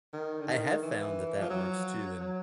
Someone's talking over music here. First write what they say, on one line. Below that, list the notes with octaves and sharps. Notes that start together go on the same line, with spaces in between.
I have found that that works too, and
D#3
D3
D#3
E3
F3
F#3
F#3